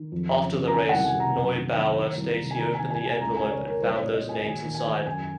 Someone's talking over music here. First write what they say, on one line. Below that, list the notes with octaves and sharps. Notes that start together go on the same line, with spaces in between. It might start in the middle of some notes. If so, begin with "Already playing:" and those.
After the race, Neubauer states he opened the envelope and found those names inside.
Already playing: D#3
F2
C#3
C#3
A#5
D#3 G#5
C2 F#5
G#5
C3
A#5
F#2
D#3
D#3
D#3
C2
C3
G#5
D#2 A#5
D#3 G#5
G#5
D#3
G#5
C#2 A#5
C#3 G#5
C#5
C#3
A#4
C2 C5
C#5
A#2
D#5
A#2
G#5
D#2 G#5
D#3
G#5
D#3
F#2 G#5